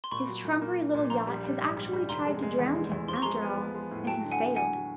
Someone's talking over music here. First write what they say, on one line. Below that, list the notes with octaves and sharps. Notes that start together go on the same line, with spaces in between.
His trumpery little yacht has actually tried to drown him, after all, and has failed!
C6
A#2 B5 C#6
F#3
A#2
A#3
A#3
A#2
A#1 A#5 C6
G3
G3
G#2
G3
G3
F1 A#5 C6
G#3
G#3
E2
G#3
E2
F3 C6
C#6
G#3 A#5 C6
B3
F3
G#3
A2
F#3 G5 A5
D3
F#5 G#5
F#3
F#3 F#5 G#5
F#3